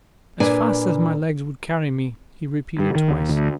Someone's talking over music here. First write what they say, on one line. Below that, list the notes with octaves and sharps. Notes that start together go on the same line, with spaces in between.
"As fast as my legs would carry me," he repeated twice.
A#2 D4 B4 G#5
G2
D#3
D#2
D2